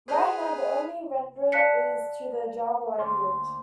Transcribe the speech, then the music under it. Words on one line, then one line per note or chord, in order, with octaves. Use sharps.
Right now, the only rendering is to the Java language.
G#4 B4 C5 D#5 F6
D5 F5 A5 F#6 B6 C#7
D2 C3 A#3 C5